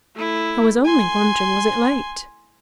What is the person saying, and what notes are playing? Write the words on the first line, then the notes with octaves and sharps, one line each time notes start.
I was only wondering was it late.
A3 E4
G#5 C6